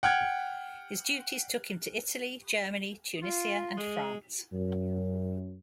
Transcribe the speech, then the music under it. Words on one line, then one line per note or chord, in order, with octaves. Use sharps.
His duties took him to Italy, Germany, Tunisia and France.
F#5 G5 F6 F#6 G#6
F4
G#3
F#2